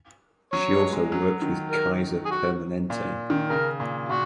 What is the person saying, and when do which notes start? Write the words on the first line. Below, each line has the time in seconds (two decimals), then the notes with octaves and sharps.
She also works with Kaiser Permanente.
0.53 F#3 C#5
0.72 G#3
0.93 G#3
1.12 F#3
1.42 D#3
1.71 A#4
2.26 G#4
2.31 F#4
2.90 A#2
3.30 D#3
3.50 C#3 A#4
3.80 A#2
4.09 A#2 F#4